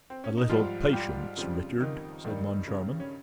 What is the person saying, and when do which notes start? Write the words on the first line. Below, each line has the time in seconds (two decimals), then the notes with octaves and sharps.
"A little patience, Richard," said Moncharmin.
0.10 C4
0.24 C#4
0.37 D#4
0.49 G#2 F3 G3 F4
0.83 F4
0.93 G3 G4
1.37 F2 C#3 F3 G3 F4
1.80 D#3 D#4
2.24 G2 D#3 G3
2.67 C#3 C#4
3.00 C#4